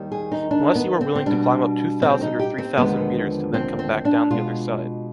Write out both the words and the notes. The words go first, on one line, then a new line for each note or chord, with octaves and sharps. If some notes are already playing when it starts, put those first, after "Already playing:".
Unless you were willing to climb up two thousand or three thousand meters to then come back down the other side.
Already playing: D#2 D#3 G3
G#4
D#4
D4
B3
C4
C4
B2 G3 D4
C4
D#4
G4
C4
D#2 D3 F3 G#3 B3
C4
C4
D4
B2 G#3 F4